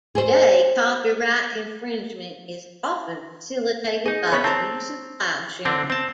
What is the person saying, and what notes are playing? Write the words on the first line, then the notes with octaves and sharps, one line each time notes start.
Today copyright infringement is often facilitated by the use of file sharing.
G#4 C5
D#4 G#4 D#5
B3 C#4 C#5 B5
C4 A5 A#5
D3 C4 D4
C4 A5